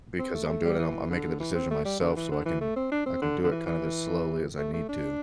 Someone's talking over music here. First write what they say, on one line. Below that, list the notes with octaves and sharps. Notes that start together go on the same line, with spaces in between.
because I'm doing it. I'm I'm making the decision myself so I can I can do it kind of as slowly as I need to.
C4
A3
A3
G3
E3
D3
E3
C4
A3
G3
D3
E3
D3
E3
A3
C4
D4
C4
D3
D3
E3
E3
A3
A3
D4